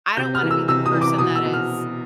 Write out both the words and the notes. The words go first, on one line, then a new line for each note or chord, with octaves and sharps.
I don't wanna be the person that is
C3 G6
F6
E3
E6
C3 E6
D#6
E3
D6
B2 D#6
E6
B2
F6